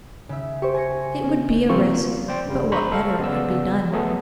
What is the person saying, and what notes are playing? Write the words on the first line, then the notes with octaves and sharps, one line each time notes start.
It would be a risk, but what better could be done?
C#3 E5
G4 C5 C#6
G#5 A#6 C#7
C#4
C3 F3 A#3 C4 F4 C#6
C5 D5 G5
G2 C#3 G3
C5 A#5 B5 C#6
A4 F5
C#3 B3 D5 E6
F#3 A3 B3 G#4 A4